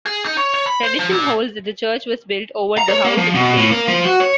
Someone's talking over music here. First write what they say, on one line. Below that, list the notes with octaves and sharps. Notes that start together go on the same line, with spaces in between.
Tradition holds that the church was built over the house of the saint.
G#4
D#4
C#5
C#5
B5
C5
F3
A#2
A#5
C#5
A#3
F3
B2
A2
A#3
F3
F#4
C#5